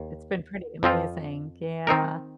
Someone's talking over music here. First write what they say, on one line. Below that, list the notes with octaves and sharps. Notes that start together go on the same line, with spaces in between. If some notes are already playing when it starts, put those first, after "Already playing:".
It's been pretty amazing, yeah.
Already playing: D#2
F2 F3 C4 F4
D#3 C4 D#4 A#4